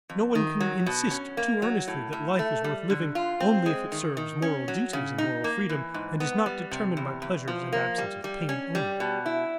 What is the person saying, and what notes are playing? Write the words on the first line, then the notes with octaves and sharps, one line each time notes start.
No one can insist too earnestly that life is worth living only if it serves moral duties and moral freedom and is not determined by pleasures and absence of pain only.
F2
D#3
F#3
B2
C#4
A#3
F#3
A2
A2
A3
G3
D3
F4
C4
G#3
D#3
D#3
C#4
F#3
C#3
D#4
A#3
E3
G#2
B3
G3
C3
E2
E2
F3
A#3
G3
G3
C#4
G3
B2
E4